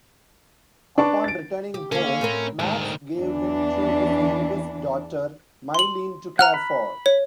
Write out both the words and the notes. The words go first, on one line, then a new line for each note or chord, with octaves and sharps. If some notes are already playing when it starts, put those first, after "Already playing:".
Upon returning home, Max gave him to his youngest daughter, Mylene, to care for.
D4 B4 A5 C#6 D6
A6 D7
G4
D3 A#3 C#4
A2 C4 A#4
D2 G#2 D#3
E2 E3 D4
C6 F#7
F#5 A#5 F6 F#6
B5
C#5